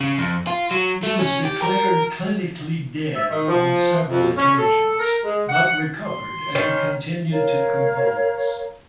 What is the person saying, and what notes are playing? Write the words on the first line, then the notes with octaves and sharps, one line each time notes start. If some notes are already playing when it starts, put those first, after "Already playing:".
He was declared clinically dead on several occasions, but recovered and continued to compose.
C#3
F2
F4
F#3
A3
C#4
G4
A#4
E5
D#3
F3
F2
C#4
A4
A#4
G#3
F#5
C6
D#3 C#4
A#4 C#5 F5 A#5